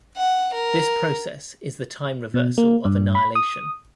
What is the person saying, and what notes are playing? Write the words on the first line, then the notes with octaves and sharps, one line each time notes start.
This process is the time reversal of annihilation.
F#5
A#4
B2
A#3
G2
B5
D#6